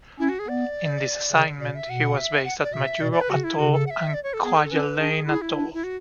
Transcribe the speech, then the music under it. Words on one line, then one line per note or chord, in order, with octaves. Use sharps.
In this assignment he was based at Majuro Atoll and Kwajalein Atoll.
C#4 E4
F#4
G#4
B3 D5
C#3
B2 D5
E5
B2 F#5
E5
F#5
D5
B2 E5
B2 D5
D5
B4
C#3 F#4
E4
C#3 F#4
A4
F#5
E5
D5
C#5
A4
B3 G#4
A4
C#4 B4
D4 G#4
E4 G#4
E4
D4
E4
F#4